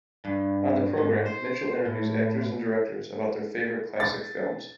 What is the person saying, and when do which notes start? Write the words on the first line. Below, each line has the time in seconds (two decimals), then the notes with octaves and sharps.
On the program, Mitchell interviews actors and directors about their favorite classic films.
0.25 G2
0.97 G#2
1.26 C5
1.85 A2
4.00 A6